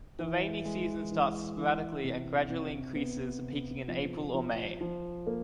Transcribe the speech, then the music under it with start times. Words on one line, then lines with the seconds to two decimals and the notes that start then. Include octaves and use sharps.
The rainy season starts sporadically and gradually increases, peaking in April or May.
0.19 E3
0.65 G#3
1.11 E3
1.57 E3
2.04 C3
2.50 C3
2.95 B3
3.42 C3
3.88 F3
4.34 F3
4.81 F3
5.27 A#3